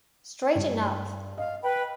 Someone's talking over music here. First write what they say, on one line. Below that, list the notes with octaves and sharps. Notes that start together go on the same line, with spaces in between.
Straighten Up!
G2
D#5 F5
B4 G5 B5